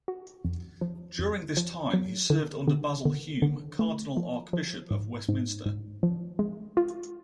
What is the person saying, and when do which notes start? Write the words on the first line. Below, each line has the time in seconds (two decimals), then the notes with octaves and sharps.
During this time he served under Basil Hume, Cardinal Archbishop of Westminster.
0.08 F#4
0.45 F2
0.81 F3
1.19 F2
1.57 F3
1.93 F#3
2.30 D3
2.68 D3
3.05 D3
3.42 D3
3.79 A3
4.17 F3
4.53 F3
4.90 G#2
5.29 G#2
5.66 G#2
6.03 F3
6.39 G#3
6.77 F4